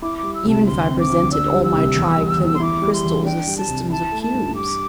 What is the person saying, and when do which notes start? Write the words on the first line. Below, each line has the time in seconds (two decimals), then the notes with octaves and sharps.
Even if I presented all my tri-clinic crystals as systems of cubes----!
0.02 E4 D6
0.18 D6
0.23 G3
0.34 E6
0.45 C2 A5
0.67 D2 C6
0.87 C4
0.99 D6
1.10 D2
1.31 D4 E6
1.52 G3
1.63 E6
1.74 C2
1.96 E2
2.18 G3
2.39 E2
2.53 C6
2.60 E4 D6
2.82 G3
2.93 C6
3.04 E2
3.25 D4 G5
3.47 G3
3.57 A5
3.68 C2
3.90 E4 A5
4.12 A3
4.22 A5
4.33 G2
4.54 G4 D6